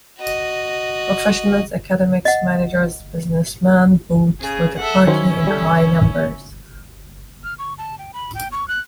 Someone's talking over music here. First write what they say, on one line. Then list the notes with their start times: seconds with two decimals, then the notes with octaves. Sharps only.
Professionals, academics, managers, businessman vote for the party in high numbers.
0.19 F#4 D#5
2.25 D#5 F#5
4.41 C#3 G#4
4.78 A4 E5 F#5
5.07 D#3 F#3 C#4 E4 C5
5.47 G3 A4
7.44 F6
7.58 C#6
7.78 A5
7.99 G5
8.14 B5
8.35 G5
8.52 C#6
8.68 F#6